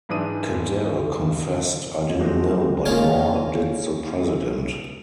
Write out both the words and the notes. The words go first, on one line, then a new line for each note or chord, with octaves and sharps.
Cadell confessed 'I didn't know but nor did the president.
G#2 E3 D4 D#6 D#7
G2 D3
G#3 A3 C4 D4 F#4
G#3 A#3 C#4 D#4 F4 A#4